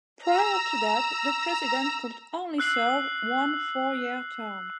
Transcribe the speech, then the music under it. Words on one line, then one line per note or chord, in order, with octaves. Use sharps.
Prior to that, the president could only serve one four-year term.
A#5 E6
E6 F#6 C7 F#7